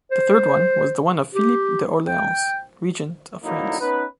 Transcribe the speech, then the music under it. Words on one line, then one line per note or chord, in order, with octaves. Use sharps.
The third one was the one of Philippe d‘Orléans, regent of France.
C5
G4
G5
F2 D3 F#3 A#3 D#4 E4
B3 C#4 D#4 B4